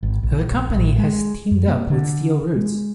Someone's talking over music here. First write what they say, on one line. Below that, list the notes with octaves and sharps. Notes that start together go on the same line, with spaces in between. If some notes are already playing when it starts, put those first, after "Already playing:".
The company has teamed up with SteelRoots.
G#1
A#1
A1
G#3
F#2
A#3
D3
G#3